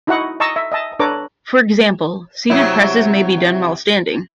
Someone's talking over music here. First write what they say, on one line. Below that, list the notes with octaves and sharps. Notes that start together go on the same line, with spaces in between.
For example, seated presses may be done while standing.
D#4 E4 F#4 D#5 F#5 C#6
D#5 A5 A#5 C#6 E6
E5
D#5 E5 A5
D4 A4 B4 C#5 A#5 D6
C3 F#3 E4